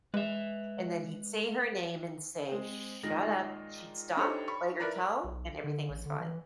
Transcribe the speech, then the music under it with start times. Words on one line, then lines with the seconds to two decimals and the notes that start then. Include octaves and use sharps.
and then he'd say her name and say, "Shut up," she'd stop, bite her toe, and everything was fine.
0.14 G#3 B4 E5
2.48 G#3 C4
3.03 A#2 D#3 G#3 D#4 A#6
4.17 D4 D#4 G4 A4 C5 C#5
4.48 B5 C#6
4.80 E4 A#4 B4 D5 A#5
5.24 B1
5.64 D3
5.90 A1
6.06 D3
6.20 E3